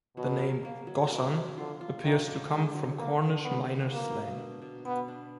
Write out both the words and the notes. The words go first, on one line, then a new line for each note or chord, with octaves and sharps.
The name "gossan" appears to come from Cornish miner's slang.
B2 F#3
A#4
A#3
F#3
B2 A#4
F#3
D3 F4
F4
D#3 F#3
D4
D3 G#3
F#3
D3 A#3
D3
D3 B3
D3
B2 A#3
B2
D4
B2
B2 B3
D4